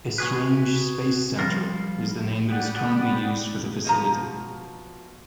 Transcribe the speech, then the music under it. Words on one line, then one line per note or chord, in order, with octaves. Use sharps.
"Esrange Space Center" is the name that is currently used for the facility.
F#4 G#4 B4
F3 G3 F4 A#4
D5 F#5 G5 B5 D#6
B2 F3 A#5